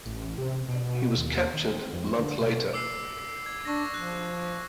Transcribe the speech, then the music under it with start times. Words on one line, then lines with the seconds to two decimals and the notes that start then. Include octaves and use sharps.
He was captured a month later.
0.06 A1
0.38 C3
0.68 B2
1.18 D#2
1.54 D#3
1.70 C4
1.93 F2
2.18 D3
2.40 B2
2.73 D6 E6 C7
3.46 G#6
3.65 D4 C#6 A#6
3.94 F3 F#6